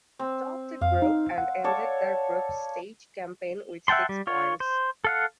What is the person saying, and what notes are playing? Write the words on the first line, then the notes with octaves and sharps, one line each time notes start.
They topped the group and ended their group stage campaign with six points.
C4
F2 F5
D#4
F#5
A4 C#5 D5
E5 F#5 G5 A5 C6
G3
F4 C#5
C5
A4 F5 F#5